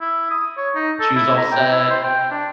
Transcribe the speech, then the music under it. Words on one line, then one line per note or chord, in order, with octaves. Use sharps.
she was all sad,
E4
D#6
C#5
D#4
A4
E4
A#5
G5
E4
C5
G5
D4